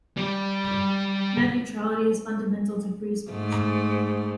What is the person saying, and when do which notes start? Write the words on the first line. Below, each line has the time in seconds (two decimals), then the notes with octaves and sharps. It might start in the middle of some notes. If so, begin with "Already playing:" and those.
Net neutrality is fundamental to free speech.
0.17 G3 G4
3.31 G#2 A3